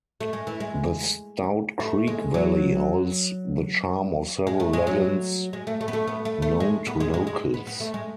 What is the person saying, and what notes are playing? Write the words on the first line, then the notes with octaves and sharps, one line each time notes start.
The Stout Creek valley holds the charm of several legends known to locals.
A3
G#3
E3
G#3
A3
G#3
F#3
G#3
A3
G#3
F#3
G#3
A3
A3
B3
A3
B3
A3
A3
G#3
B3
G#3
G#3
G#3
B3
B3
A3
G#3